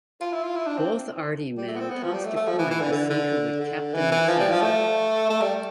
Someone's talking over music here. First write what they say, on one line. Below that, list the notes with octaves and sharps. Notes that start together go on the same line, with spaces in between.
Both Ardee men tossed a coin to see who would captain the team.
F4
E4
F4
E4
D4
C4
G3
A3
B3
C4
B3
F3
G3
A3
A3
F3
E3
E3
D3
D3
D3
D3
E3
E3
F3
G3
F3
A3
A3
G3